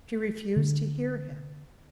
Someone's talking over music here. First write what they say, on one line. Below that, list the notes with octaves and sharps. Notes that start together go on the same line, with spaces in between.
She refused to hear him.
D3